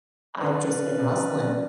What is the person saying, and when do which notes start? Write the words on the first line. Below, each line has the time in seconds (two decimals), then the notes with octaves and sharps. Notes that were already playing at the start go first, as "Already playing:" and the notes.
I've just been hustling
0.39 C#4 B4 D5